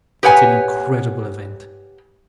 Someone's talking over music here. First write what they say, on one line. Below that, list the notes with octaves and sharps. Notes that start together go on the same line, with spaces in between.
"What an incredible event!"
G4 B4 C#5 F#5 G#5